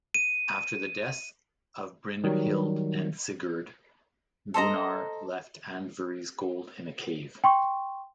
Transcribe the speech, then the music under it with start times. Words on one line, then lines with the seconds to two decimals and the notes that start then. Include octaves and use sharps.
After the deaths of Brynhild and Sigurd, Gunnar left Andvari's gold in a cave.
0.14 D#7
2.24 D#3 F#3 G3
4.54 A4 C5 D#5 A#5
7.44 G5 C6 C#6